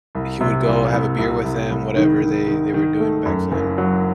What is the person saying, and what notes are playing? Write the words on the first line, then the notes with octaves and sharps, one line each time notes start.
he would go have a beer with them, whatever they they were doing back then,
C2
C3
C2
C2
C2
C2
C2
D#3
D#3
D#3
D#3
A3
F#2
F#1
F#3